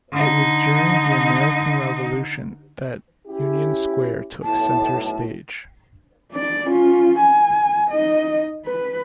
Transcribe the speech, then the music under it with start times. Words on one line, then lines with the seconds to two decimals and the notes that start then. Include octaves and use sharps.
It was during the American Revolution that Union Square took center stage.
0.12 D3 D#4
3.28 C#4 E4 G4
4.44 B1 A2 A5
6.32 D4 D5
6.67 C#4 F4
7.19 G#5
7.90 D#4 D#5
8.65 B4